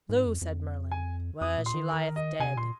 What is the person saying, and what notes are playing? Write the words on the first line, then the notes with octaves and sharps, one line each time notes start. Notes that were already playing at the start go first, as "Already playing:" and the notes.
Lo, said Merlin, where she lieth dead.
G#2
F2
F2
G#5
F2 D#6
A#2
C6
D#3
A#4
D#5
C3 G#5
A#2 C6